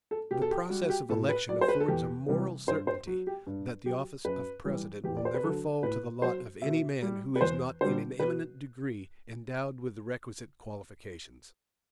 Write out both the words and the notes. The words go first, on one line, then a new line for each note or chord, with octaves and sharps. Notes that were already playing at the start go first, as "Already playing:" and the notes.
The process of election affords a moral certainty, that the office of President will never fall to the lot of any man who is not in an eminent degree endowed with the requisite qualifications.
A4
B2 G4
A4
G4
G3 F#4
F#4
G4
A2 A4
B4
F#3 D5
C5
B4
A4
E2 G4
C3 E3 G3
G2 C5
C5
F#3 F#4
G4
G2
F#3 G4
F#2 B4
E3 G3
E2 G4
D5
C5
B4
D3 F#3 A4
A2 B4
F#3 C5
B2 E5
G3
B4
E2 C5
D3 G3 C5
B2 B4